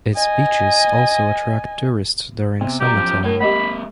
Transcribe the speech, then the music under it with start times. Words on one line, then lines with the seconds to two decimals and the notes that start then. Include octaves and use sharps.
Its beaches also attract tourists during summer time.
0.15 D#5 G#5
2.61 C3 B3
2.80 G3 G4 A#4
2.94 F#2 F3
3.24 A3 A#4 C#5 G5
3.40 G#3 A#3 G4 D#5 F#5 B5